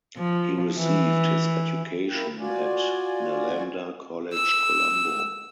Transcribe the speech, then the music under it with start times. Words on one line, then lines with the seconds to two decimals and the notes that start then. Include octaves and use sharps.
He received his education at Nalanda College Colombo.
0.18 F3
0.78 E3
2.09 A#3 E4 G5
2.39 F4 F#4 D5 G#5
4.33 E6